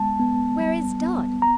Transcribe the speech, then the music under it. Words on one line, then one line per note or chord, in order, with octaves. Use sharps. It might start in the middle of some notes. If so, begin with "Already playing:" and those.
"Where is Dot?"
Already playing: G#3 B3 A5
B3
G3
B3
A#5